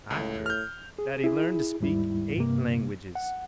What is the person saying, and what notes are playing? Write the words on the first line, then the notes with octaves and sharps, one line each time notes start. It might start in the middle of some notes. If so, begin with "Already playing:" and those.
I've heard that he learned to speak eight languages.
C#2 A2
F6 G6
G#4
E4 G#4
D#2 G#2 G3 E4
G2 C3 A#3
F#5